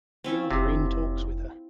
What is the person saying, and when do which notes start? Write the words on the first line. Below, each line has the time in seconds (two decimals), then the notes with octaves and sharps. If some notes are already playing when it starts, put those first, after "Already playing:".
Wolverine talks with her.
0.24 C4 C#4 E4 F4
0.51 F1 C3